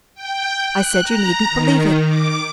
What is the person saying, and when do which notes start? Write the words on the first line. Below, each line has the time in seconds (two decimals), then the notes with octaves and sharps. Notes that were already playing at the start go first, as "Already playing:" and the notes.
I said, you need n't believe it.
0.15 G5
0.69 F#6
1.03 A#5
1.49 D#3
2.06 D6